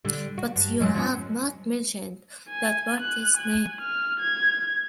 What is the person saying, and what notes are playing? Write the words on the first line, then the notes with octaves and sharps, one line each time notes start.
But you have not mentioned that party's name.
D3 G3
F#4
G2
F#2 F#3 G#3
F3 F#3 C#4
G#5
F#6
G#5
F6
G#6